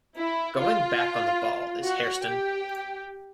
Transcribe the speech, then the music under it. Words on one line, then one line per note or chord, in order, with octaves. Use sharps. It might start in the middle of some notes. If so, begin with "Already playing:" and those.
Going back on the ball is Hairston.
E4
F4
F#4
G4